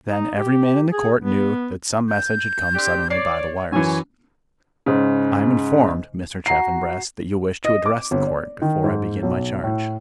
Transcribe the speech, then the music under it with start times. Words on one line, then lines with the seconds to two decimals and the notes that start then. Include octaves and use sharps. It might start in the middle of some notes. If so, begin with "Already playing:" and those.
Then every man in the Court knew that some message had come suddenly by the wires. "I am informed, Mr. Chaffanbrass, that you wish to address the Court before I begin my charge."
0.09 D#4
0.37 G4
0.93 G#4
1.21 B3
2.09 G6
2.75 C4 D4 G4
3.10 C#5 D5 C7
3.72 F#2 E3 C#5 G#5
4.86 G#2 C#3
6.46 F#4 A#5 C7
7.65 D#5
7.86 D6
8.11 G1
8.26 D5
8.62 D#3
8.84 G#2
9.23 B1
9.63 A2